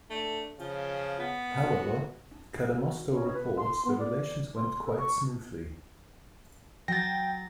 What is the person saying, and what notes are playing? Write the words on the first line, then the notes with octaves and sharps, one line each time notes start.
However, Cadamosto reports their relations went quite smoothly.
A3 D4
C#3 F3
B3
F#4
F#4
C#4
B4
C6
B3
D5
C6
A4
C#6
F#3 G5 A6 A#6